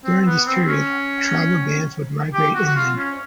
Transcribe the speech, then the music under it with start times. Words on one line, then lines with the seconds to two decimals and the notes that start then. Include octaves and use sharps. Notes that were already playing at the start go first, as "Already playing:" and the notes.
During this period, tribal bands would migrate inland.
0.05 C4
0.25 B3
0.47 C4
0.67 C#4
2.34 G4
2.54 F#4
2.66 F#4
2.75 F4
2.97 C#4